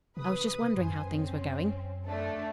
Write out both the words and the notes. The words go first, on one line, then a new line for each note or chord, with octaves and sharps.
"I was just wondering how things were going."
C3 B4 D#6
F#2 C5 G#5
C4 C#4
A3 D4 A4